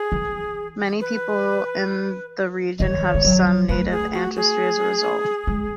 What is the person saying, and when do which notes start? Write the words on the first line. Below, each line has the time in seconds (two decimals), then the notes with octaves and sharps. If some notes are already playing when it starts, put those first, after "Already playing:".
Many people in the region have some native ancestry as a result.
Already playing: G#4
0.12 E3
1.01 B4
2.79 D#3 C#5 D#5
3.14 G#3
3.25 F#3
3.69 A3 B4
3.91 G#4
4.14 F#4
4.36 G#4
5.47 G#3